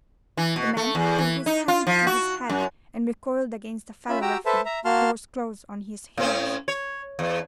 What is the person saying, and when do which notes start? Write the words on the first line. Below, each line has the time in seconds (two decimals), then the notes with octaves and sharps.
The man put his hand to his head, and recoiled against a fellow-ruffian, who was close on his heels.
0.37 E3
0.56 B2
0.77 A3
0.95 E2
1.18 E3
1.46 D#4
1.68 F4
1.87 F3
2.07 F#4
2.49 F#2
4.09 C#4 F4 E5 B5
4.22 F#4 G4 G5 A#5 E6
4.46 A4 B4 C5 E5 A5
4.65 E5 A#5
4.85 A#3 F#4 A5 C6 F6
6.18 A2 C4 C#4
6.68 C#5
7.19 E2